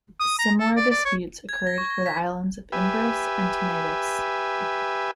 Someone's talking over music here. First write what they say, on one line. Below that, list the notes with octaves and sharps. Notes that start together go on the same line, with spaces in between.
Similar disputes occurred for the islands of Imbros and Tenedos.
D#6
A#5
A4
D5
D5
C#5
G#6
A#6
C#6
A#6
B6
G4 B4 E5 G#5